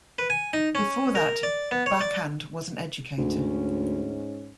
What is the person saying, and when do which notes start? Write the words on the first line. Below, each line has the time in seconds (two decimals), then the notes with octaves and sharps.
Before that Bachand was an educator.
0.18 B4
0.30 G#5
0.53 D#4
0.75 C#4
1.15 A#4
1.43 D5
1.71 B3
1.86 C#5
2.01 D5
3.18 D2 G#2 C#4